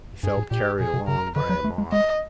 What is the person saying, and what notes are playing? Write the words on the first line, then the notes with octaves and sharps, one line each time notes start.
He felt carried along by a mob.
G2 G#4
A2
A#2 G4
B2 G#4
C3
C#3 A#4
D3 B4
F#3
A3
G#3
G#3 D#5